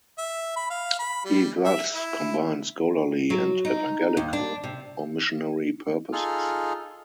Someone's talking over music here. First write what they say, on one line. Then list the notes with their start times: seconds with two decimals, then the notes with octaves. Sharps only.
He thus combined scholarly and evangelical or missionary purposes.
0.18 E5
0.57 B5
0.70 F5
0.99 B5
1.25 G3
1.65 E5
1.94 E4
3.30 F#3
3.65 D#4
4.17 D#2
4.33 D4
4.64 C3
6.13 D#4 F4 G#4 A4 F6